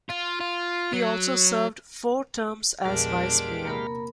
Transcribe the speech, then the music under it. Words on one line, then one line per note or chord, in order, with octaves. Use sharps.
He also served four terms as vice-mayor.
F4
F4
F#3
A#1 E2 G#3 D4 G4 A#4 F5 D7
C3 A#3 A#4 B5